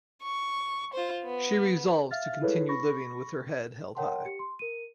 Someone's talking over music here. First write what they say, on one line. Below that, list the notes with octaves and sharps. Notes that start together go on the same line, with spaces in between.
She resolves to continue living with her head held high.
C#6
F4 C5
B3
E5 F5 F6 A6
E4 G#4 A4 B4 C#5
B5 C#6 A#6
A#4 C#5 F#5 G5 A5 C6
G4 C#7
C6
A#4 D#7